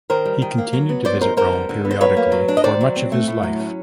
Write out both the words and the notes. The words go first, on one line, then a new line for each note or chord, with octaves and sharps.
He continued to visit Rome periodically for much of his life.
D#3 A#4 C5
G3
D#3
A#3
F#3
B3
F#3 C5 D5
D#4 A#4 C5
D3 A#4 C5
G3
D3
B3
C5
F#3 B4 C#5
A#3
F#3
D4
D#5
D#3 C5 D5
F#3
C4
A3
A2
F#3
C#4